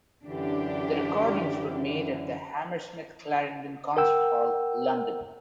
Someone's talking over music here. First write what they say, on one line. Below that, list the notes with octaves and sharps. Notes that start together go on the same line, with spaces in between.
The recordings were made at the Hammersmith Clarendon concert hall, London.
F#2 D3 E3 D4 G4
A#4 F#5 G5 E6